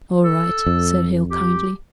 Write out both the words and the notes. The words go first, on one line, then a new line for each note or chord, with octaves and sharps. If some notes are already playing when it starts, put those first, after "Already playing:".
"All right," said Hale kindly.
A4
F2
G4